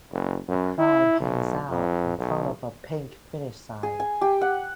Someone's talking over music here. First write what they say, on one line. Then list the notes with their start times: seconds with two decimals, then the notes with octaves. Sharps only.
A crowd hangs out in front of a pink finish sine.
0.12 F#1
0.48 F#2
0.78 E4
1.20 B1
1.69 F2
2.18 B1
3.83 G#4
4.00 G#5
4.21 G4
4.41 F#5